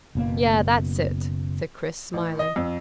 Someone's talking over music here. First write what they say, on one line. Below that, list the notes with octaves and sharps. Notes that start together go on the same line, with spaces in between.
"Yea, that's it," said Chris, smiling.
F#1 B2 A#3
A1
D#5
F2